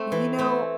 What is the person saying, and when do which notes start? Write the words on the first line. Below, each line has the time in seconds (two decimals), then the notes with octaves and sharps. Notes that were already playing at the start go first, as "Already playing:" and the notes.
You know
Already playing: A3 C4
0.12 E3
0.39 A3 C4